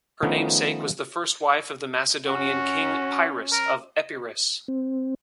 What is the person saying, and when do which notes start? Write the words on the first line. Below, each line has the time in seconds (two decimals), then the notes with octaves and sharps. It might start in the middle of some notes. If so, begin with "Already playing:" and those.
Her namesake was the first wife of the Macedonian King Pyrrhus of Epirus.
0.23 D#3 F3 A3 B3 C#4 D#4
2.27 C#4 F#4
3.52 A#4
4.68 C4